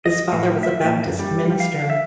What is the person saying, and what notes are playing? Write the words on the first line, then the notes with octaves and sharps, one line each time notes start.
His father was a Baptist minister.
D#5
A2
E5
A#2
F#2
G3
G3
F5
E5